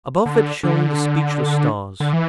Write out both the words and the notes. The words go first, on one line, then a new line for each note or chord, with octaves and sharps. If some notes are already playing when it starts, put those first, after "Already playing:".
Above it shone the speechless stars.
D3
D3
D3
E3